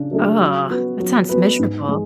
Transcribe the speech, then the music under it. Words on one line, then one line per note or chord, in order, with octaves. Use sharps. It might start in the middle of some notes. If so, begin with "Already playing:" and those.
Ugh, that sounds miserable.
Already playing: C#3 D4
F#3 A3 D4 G#4
F#3
B3 F#4 B4
F#3
B3 F#4 B4
G#2
G#3